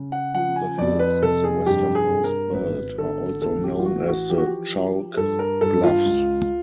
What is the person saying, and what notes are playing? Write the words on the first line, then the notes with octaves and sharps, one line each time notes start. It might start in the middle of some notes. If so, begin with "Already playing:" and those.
The hills of the westernmost belt are also known as the Chalk Bluffs.
Already playing: C#3
F#5
F3 F#5
G#5
F2 D5
B4
C3 A4
G#4
G2 G4
G#4
G2
A#4
G#1 B4
D3 A4
A1 A4
G4
F4
E3 F#4
F#4
F3 G4
F#4
G4
F3
G2 A4
A#4
G2 A4
F4
C#2